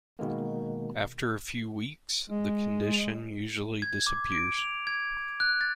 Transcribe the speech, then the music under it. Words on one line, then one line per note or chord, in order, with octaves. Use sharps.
After a few weeks, the condition usually disappears.
B2 D#3 G#3 A#3
G#3
G#6
D6
D7
F7
G#6
F#6
A6